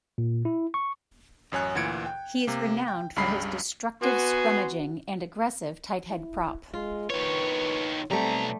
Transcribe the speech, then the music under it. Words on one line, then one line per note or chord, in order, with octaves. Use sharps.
He is renowned for his destructive scrummaging and aggressive tighthead prop.
A#2
E4
C#6
A1 F#2 C#5 G#5 F#6
D2 A#2 E3 G#6 C#7 D7
G5
C3 A#3
G5
C#2 G2 C#3 G3 B5 C7
B3 F#4 G#5 C6
E4
G#3 F4
D#3 B4 C#5
B1 G3 A3 C4 A#5